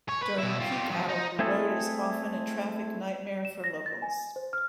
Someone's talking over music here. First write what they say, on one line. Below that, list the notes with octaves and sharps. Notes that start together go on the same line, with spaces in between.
During peak hour the road is often a traffic nightmare for locals.
C#5
B4
B2 E4
F4 G4
F3 F#3
D#4
A3 C4 E4 G#4 A4
E7
A#6
A6
G#5
C5
F6